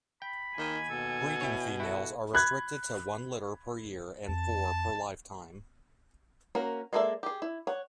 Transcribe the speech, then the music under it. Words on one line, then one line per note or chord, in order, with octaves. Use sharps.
Breeding females are restricted to one litter per year and four per lifetime.
G5 B5
D#2 D#3 G#5
B2 A4
E4 C#5
E4 F#4 A4
B5 F#6 G#6
F2 A5
A#3 C#4 F#4 A#4
G#3 A#3 A4 D5 E5
G4 G#4
E4
C#5 F#5